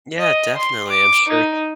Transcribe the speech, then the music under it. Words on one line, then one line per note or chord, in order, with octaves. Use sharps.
Yeah, definitely, I'm sure
D#5
C6
D6
D#4